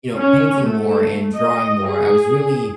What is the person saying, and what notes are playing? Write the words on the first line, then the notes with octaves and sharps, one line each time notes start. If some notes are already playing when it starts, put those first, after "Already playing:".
you know, painting more, and drawing more, I was really
C#4
A3
D#5
G#4